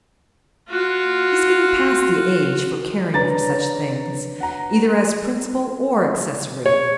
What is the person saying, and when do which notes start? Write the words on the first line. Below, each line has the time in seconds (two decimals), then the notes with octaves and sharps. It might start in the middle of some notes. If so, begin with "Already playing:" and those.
He's getting past the age for caring for such things, either as principal or accessory.
0.69 F4 F#4
3.14 D4 B4 C#5 A#5 A6
4.40 F#5 A#5
6.66 C#5